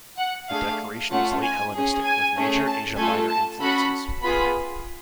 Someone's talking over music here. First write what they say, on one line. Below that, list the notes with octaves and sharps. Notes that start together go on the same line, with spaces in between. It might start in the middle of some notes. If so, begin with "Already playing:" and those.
The decoration is late hellenistic, with major Asia Minor influences.
F#5
A3 D4 G#4 F5
A3 C#4 F4 F#5
G#5
C#4 G#4
G#5
A3 C#4 G#4
A5
A3 F4 A4 G#5
A5
C#4 F#4 A4 B5
B3 F4 G#4 B5